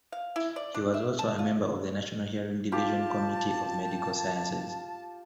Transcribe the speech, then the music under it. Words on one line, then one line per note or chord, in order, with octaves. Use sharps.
He was also a member of the National Hearing Division Committee of Medical Sciences.
F5
E4
D5
D4
E5
A5
F4
F4 G4 A5